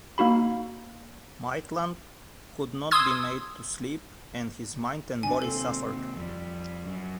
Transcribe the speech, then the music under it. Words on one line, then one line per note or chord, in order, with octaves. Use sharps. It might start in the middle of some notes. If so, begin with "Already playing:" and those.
Maitland could not be made to sleep and his mind and body suffered.
A#3 D#4 F#4 B5
C6 D#6 E6 G#6
D#2 C3 D#3 D4 G#5
C4 A4
F2 G3
F#2